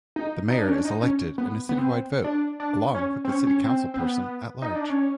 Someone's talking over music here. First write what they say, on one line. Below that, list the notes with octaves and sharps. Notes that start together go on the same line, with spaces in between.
The mayor is elected in a citywide vote, along with the city councilperson-at-large.
D#4
D#4
D4
C#4
D4
D#4
C#4
B3
B3
C4
D4
D4
C#4
C4
C#4
C#4
C4
C4
B3
D#4
D4
C#4